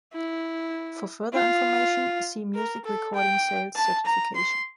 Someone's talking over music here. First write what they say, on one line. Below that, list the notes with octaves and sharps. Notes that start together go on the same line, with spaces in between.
For further information, see Music recording sales certification.
E4
F4
A#4
A4
G5
A5
A#5
C6